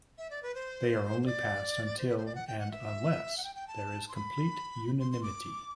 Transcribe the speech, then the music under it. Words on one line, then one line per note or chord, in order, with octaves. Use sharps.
They are only passed until and unless there is complete unanimity.
E5
D5
B4
C5
C5
D5
C5
B4
C5
D5
F#5
G5
F#5
E5
F#5
G5
G5
A5
C6
B5
C6
C6
D6